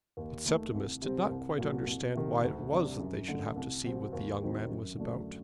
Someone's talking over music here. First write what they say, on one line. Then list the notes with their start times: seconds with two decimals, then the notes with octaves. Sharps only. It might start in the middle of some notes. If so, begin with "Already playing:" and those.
But Septimus did not quite understand why it was that they should have to see what the young man was about.
0.17 D#2
0.45 D#3 A3
0.73 C2
1.02 C3 G3 C4
1.30 C2
1.58 A#2 F#3
1.87 C2
2.15 C3 D#3
2.43 D2
2.71 C3 G3 D4
2.99 F#2
3.28 D3 A3
3.56 C2
3.84 C3 F#3 C4
4.13 D#2
4.41 D#3 F#3 C4 D#4
4.69 F#2
4.97 D3 F#3 A3 D4